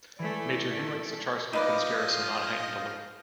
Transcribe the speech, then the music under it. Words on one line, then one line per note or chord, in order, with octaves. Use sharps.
Major Henryk Sucharski put his garrison on heightened alert.
E3 A3 D5
F3 D#4 F4 B4 D5 D#5